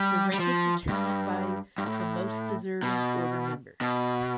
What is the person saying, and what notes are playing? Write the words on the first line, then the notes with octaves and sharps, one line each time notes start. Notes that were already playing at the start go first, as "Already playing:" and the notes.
The rank is determined by the most deserving order members.
Already playing: G3
G3
F3
G2
G2
A2
B2
B2